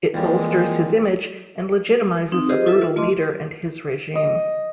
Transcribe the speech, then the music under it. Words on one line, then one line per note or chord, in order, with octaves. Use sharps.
It bolsters his image and legitimizes a brutal leader and his regime.
F2 E3 G3 G#3 A#3
C4 D#4 D#6
F4 G4 G#4 C5 D#5
E4 F4 A4 B4 E5
F4
A3 F4 D#5 C6 D6
D#5